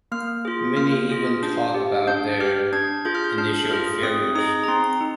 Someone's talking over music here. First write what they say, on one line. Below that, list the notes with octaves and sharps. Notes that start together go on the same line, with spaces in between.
Many even talk about their initial failures.
A#3 F6
F4 G#4
A#3 F6
F4 G#4
D4
G4
D4 G6
G4 F6
D4 G#6
F4 G#4 G6
F6
G6
D4 F6
F4 G#4 F6
C4 D#6
D#4 G#4 D#6
A#5
C4 C6
D#4